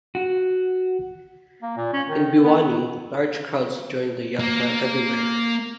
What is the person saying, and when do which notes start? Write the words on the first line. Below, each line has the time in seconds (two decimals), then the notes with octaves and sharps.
In Bhiwani, large crowds joined the Yatra everywhere.
0.15 F#4
1.62 A#3
1.77 A#2
1.93 C#4
2.09 D#3
2.43 B3
4.40 A#3